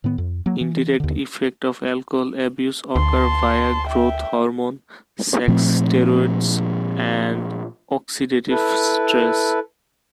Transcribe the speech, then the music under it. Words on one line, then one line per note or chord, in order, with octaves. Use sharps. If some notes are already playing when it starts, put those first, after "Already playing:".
Indirect effects of alcohol abuse occur via growth hormone, sex steroids, and oxidative stress.
A2 D#3 B3
F2
F#3 A#3
E3
D#2 D3
D2 A5 C6
E5 G5
A#2 F3 A3 C4
E4 A4 B4